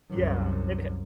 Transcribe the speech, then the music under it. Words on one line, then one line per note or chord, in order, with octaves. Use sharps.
Yeah, it ha
C2 F#2